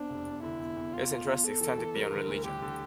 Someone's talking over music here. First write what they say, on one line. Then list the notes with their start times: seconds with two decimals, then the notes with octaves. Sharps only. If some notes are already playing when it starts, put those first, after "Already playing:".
His interests extended beyond religion.
Already playing: E2 C4 D4
0.09 F1
0.26 E2
0.42 D3 E4
0.59 E2
0.77 E2
0.93 E2 F4
1.10 E2
1.27 E2
1.44 E2 A4
1.61 E3
1.78 E3
1.94 G3 A#4
2.11 D3
2.28 D2
2.45 D3 G4
2.62 D3